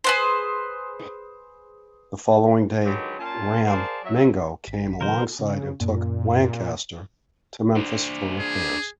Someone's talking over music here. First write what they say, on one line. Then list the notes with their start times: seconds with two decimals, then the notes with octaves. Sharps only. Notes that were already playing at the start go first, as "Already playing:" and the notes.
The following day ram "Mingo" came alongside and took "Lancaster" to Memphis for repairs.
0.04 G#4 B4 C5
2.84 D3 D#3 F#3 G#3 G4 B4
3.18 A#2 C#4 F4 A#4 G#5 A5
3.65 G#4 A#4 C5 D5 F5 A5
4.04 F#3 E5
4.67 G#1 B6
5.01 C3 D#3 F3 A#4 C5
5.39 C#3
5.80 F#2 A#2
7.76 D4 C5
8.40 G#4